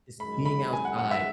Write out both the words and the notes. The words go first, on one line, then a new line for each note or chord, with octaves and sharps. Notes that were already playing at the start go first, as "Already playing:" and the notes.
just being outside,
F#2 D#3 G#3 B5
B5
G#5
F#5
F#5
E5